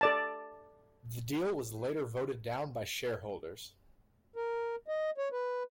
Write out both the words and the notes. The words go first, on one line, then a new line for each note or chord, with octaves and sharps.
The deal was later voted down by shareholders.
A4 D5 A5
A#4
D#5
C#5
B4